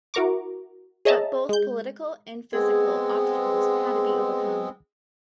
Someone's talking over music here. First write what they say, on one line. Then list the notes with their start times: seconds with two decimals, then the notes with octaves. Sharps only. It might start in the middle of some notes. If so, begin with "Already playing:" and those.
But both political and physical obstacles had to be overcome.
0.14 E4 F#4 A#4 A#5 C#6 D6
1.05 G#4 C#5 D#5 E5 A5 A#5
1.49 G#3 G6
2.53 G#3 B3 C4 G#4